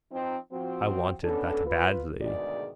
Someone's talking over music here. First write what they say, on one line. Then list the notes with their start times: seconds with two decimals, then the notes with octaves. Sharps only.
I wanted that badly.
0.12 F3 C4 D#4
0.52 F3 C4 F#4
1.23 B3 C#4 D4 A4
1.66 F4 B4
2.22 D2 G#2 B2 D#3 G#3 D5